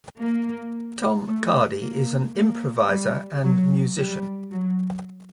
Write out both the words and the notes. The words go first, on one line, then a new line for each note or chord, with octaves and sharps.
Tom Cardy is an improviser and musician.
A#3
A3
A#3
A#3
G3
F#3
G3
F#3